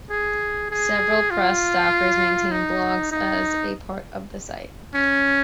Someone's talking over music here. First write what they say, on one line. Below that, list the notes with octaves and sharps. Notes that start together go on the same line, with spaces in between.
Several "Press" staffers maintain blogs as a part of the site.
G#4
G#4
F4
D#4
D#4
C#4